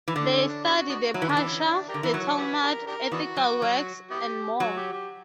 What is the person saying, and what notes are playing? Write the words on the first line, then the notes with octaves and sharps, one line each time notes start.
They study the Parsha, the Talmud, ethical works, and more.
E3
D3 D4
C#4
D4
B3 D4 F#4
B3 D4 F#4
F#3 E4
E3
D3 D4
E3
C#4
D4
D4 G4 A#4
D3
E3
F#3 E4 A#4 C#5
E4 G4 B4
D4 G4 A#4
D4 G4 A#4
E3 B3 D4 F#4
F#3
F#3
B3 E4 G4
F#3 F#4
G4
G4